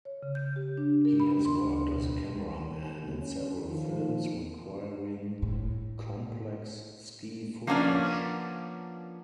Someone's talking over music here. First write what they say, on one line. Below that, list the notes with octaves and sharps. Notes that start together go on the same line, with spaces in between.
He has worked as a cameraman in several films requiring complex ski footage.
C#5
C#3
G6
G4
D4
A#4
B5
C6
D2
B2
C#4
D#3 F3
A2
F3 A#3 B3 C#4 D4 D5